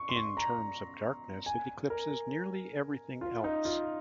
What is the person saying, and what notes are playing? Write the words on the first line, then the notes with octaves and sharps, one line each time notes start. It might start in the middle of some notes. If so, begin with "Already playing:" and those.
In terms of darkness, it eclipses nearly everything else.
Already playing: C#6
C6
C#6
A#5
G#5
A#4
F4
D#4
F4